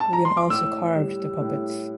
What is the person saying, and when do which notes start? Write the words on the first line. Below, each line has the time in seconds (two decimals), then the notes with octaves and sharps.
William also carved the puppets.
0.00 A5
0.13 A#5
0.25 C6
0.37 D6
0.50 A2 E6
0.96 G3
1.41 A2